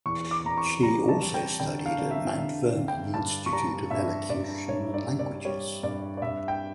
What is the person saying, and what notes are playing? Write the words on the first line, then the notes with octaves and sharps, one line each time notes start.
She also studied at Mount Vernon Institute of Elocution and Languages.
E2 C#6
D6
E2 A#5
C#6
G3 A#5
A5
G3
G5
D3 G5
F5
D3
E5
D3
D3
G5
G2 A5
C#6
G3 A#5
G2 E5
G2 D5
G2 C#5
D5
G3
D5
G3 C#5
G2 D5
D5
G2 E5
G5